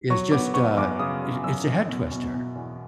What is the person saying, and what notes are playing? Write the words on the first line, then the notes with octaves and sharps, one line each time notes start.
is just a i it's a head twister.
F#3 C#6
B3 D6
B3 C#6
F#2 D6
C#3 D#6
C#3
F#2 E6
F#2
B2
B2
B2
E2